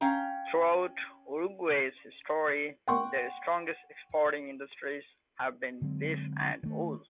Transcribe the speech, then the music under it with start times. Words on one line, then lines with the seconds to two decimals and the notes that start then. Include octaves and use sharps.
Throughout Uruguay's history, their strongest exporting industries have been beef and wool.
0.01 C#4 F5 G5 A#5
2.88 F#5 G5 C6 C#6
5.82 D3 F#3 G#3 C4
6.63 D#3 A3